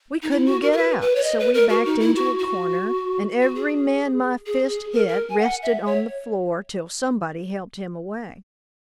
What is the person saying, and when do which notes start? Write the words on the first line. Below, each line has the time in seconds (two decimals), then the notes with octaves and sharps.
We couldn't get out, so we backed into a corner; and every man my fist hit rested on the floor till somebody helped him away.
0.22 D#4
0.31 E4
0.46 F#4
0.62 A#4
0.72 A#4
0.77 B4
1.01 B4
1.15 C#5
1.24 D#5
1.40 B4
1.54 A#4
1.69 F#4
1.85 D#4
2.00 E4
2.15 F#4
2.39 F#4
3.42 F#4
3.55 G#4
4.46 G#4
4.69 G#4
4.93 A#4
5.08 A#4
5.30 G#5
5.39 F#5
5.62 E5
5.86 C#5